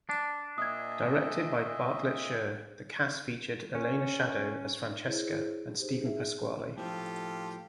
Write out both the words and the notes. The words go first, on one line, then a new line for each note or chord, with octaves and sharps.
Directed by Bartlett Sher, the cast featured Elena Shaddow as Francesca and Steven Pasquale.
D4
A#2 D#5 E5 D#6 G#6
C#4
E4 G#4 C5 C#5
D#4 G4 G#4 C5
D#4 G#4 E5
A2 F3 F4 G4 A4